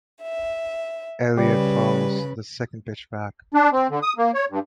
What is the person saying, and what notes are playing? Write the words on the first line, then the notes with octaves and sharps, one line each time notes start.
Elliot fouls the second pitch back.
E5
C#3 G3 G4 B4
D4
C4
D3
D#6
A#3
C#5
G2